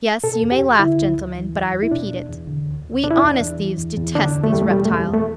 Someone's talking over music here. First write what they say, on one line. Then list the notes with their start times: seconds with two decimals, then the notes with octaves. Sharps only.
Yes, you may laugh, gentlemen, but I repeat it: we honest thieves detest these reptiles.
0.23 B2 A4
0.42 E2
0.52 G4
0.61 E2
0.79 D3 E4
0.98 D2
1.17 D2
1.36 E3
1.54 E2
1.73 E2
1.83 E4
1.91 B2 D4
2.10 E2
2.29 E2
2.48 D3
2.66 D2
2.85 D2
3.03 B2 D4
3.11 E4
3.18 E2 D4
3.41 E2
3.59 E3
3.79 E2
3.97 E2
4.15 D3 D4
4.34 E2
4.44 A3
4.53 E2 G3
4.62 A3
4.71 B2 G3
4.85 A3
4.91 E2
5.00 G3
5.09 E2 A3